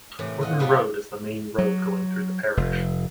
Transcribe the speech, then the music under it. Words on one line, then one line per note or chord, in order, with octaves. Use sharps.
Horton Road is the main road going through the parish.
A2 C3 E3
F4 D#5 F#5
F3 G3 B3 E4 F4
F#3
F1